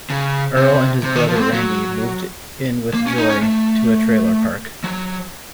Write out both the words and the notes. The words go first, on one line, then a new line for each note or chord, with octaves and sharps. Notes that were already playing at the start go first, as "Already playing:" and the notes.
Earl and his brother Randy moved in with Joy to a trailer park.
C#3
C3
C3
D#3
F3
C4
F#3
A#3
C#4
D#4
C#4
A3
F#3